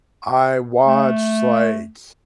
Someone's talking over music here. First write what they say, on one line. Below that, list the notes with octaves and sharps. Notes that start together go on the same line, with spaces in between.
I watched like,
A3